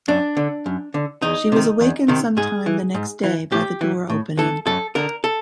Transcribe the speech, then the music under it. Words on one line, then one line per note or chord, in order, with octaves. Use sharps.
She was awakened some time the next day by the door opening.
F#2 D4
D3
F#2
D3
E2 D#4
C3 D#3
E2
C3 D#3
G#2 G#4
E3
G#2
E3
A2 G4
E3
A2
E3 A4
F#2 A4
D3 A#4
A4